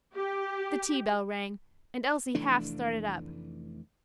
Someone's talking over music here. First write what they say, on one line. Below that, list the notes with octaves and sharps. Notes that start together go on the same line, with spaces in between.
The tea-bell rang, and Elsie half started up.
G4
F1 E3 A3 D4